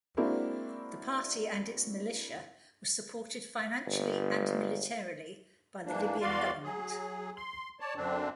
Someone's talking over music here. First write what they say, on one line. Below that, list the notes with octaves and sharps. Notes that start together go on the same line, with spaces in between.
The party and its militia were supported financially and militarily by the Libyan government.
G#3 A#3 C4 D4 E4 F#4
G1
G#2 E3 A#3 D4
E2 F#4 D5 F5 C6
F#3 G#4
C6
C#5 D5 A5
F#2 D3 C4 D4